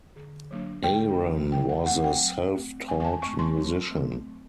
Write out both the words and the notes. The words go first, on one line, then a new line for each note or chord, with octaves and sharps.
Aron was a self-taught musician.
D3
F#3 A#3 D4
D3 G5
F#3 A#3 D4
F#3 G5
F#5
A3 C4 F#5
G5
F#3
A3 C4
F#3 G#5
G#5
A5
A3 C4 C#6
C6
F#3
A3 C4
F#3